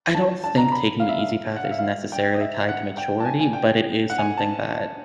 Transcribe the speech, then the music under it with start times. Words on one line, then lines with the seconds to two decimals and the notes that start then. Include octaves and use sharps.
I don't think taking the easy path is necessarily tied to maturity, but it is something that
0.15 A5
0.44 A5
0.57 A#5
0.72 B5
1.00 F5
1.09 E5
1.19 F5
1.56 F#5
1.64 F5
1.71 E5
1.78 F5
2.12 G5
2.34 D#5
2.40 E5
2.69 F#5
2.97 G5
3.20 A5
3.25 G#5
3.40 G#5
3.53 G5
4.10 F#5
4.18 G#5
4.37 A5